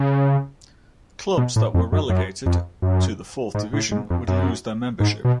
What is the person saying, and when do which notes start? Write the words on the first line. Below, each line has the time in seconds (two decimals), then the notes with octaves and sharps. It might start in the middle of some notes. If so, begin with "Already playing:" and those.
Clubs that were relegated to the fourth division would lose their membership.
Already playing: C#3
1.38 B2
1.56 A2
1.74 F2
1.92 F#2
2.10 F#2
2.46 F2
2.82 F#2
3.55 G#2
3.73 A2
3.91 G#2
4.10 F2
4.28 F#2
5.00 G#2
5.25 B2